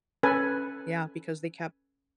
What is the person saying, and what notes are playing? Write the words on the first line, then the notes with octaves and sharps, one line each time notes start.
Yeah, because they kept
C#4 A4 B4 G#5